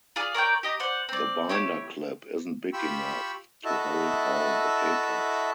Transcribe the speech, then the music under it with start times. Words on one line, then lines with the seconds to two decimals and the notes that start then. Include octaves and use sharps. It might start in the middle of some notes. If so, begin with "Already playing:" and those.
The binder clip isn't big enough to hold all the papers.
0.16 F4 G#4 D5
0.34 A#4 C#5 D5 G5
0.63 G4 D#5 A#5
0.80 C5 D5 F#5
1.09 C4 D5
1.49 E4 G4 C#5
2.73 F4 G4 G5 B5 C#6 E6
3.65 E4 F#4 A4 D#5 E5 A5